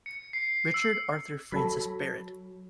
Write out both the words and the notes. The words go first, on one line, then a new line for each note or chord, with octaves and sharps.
Richard Arthur Francis Barrett.
C#7
C7
E6
F#3 A4 B5